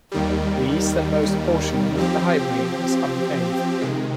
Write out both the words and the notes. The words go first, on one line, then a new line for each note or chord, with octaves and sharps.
The easternmost portion of the highway was unpaved.
D#2 D#3 G3
F3 C4 G4
C3 D#3 G#3